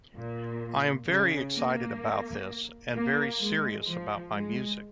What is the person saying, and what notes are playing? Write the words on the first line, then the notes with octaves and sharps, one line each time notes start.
I am very excited about this and very serious about my music.
A#2
C#3
A#3
A#3
G#3
F3
G#3